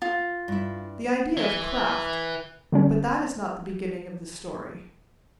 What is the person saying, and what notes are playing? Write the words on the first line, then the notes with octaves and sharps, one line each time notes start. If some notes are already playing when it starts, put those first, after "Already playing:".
The idea of Kraft--but that is not the beginning of the story.
F4
G2 E4
E3
D3 G3 C#4